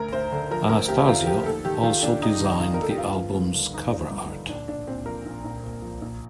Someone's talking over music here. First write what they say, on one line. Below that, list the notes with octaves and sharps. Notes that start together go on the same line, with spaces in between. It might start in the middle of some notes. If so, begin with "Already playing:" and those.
Anastasio also designed the album's cover art.
Already playing: D2 A#4
D2 C5
D3
F3 A#4
D2 A#4
D2 G4
D3 F4
F3 G4
D#2 A4
D#3 G4
D#3 F4
D#2 D4
D#2 D#4
D#3
D#3 F4
A#4
D#2 A4
G4
G1 F4
F3
G2
D3
G1 D#4
F3
G2
D3
A#1 D4
A#1 D4
A#2 C4
F3 A#4
A#1
A#1
A#2
F3
A#1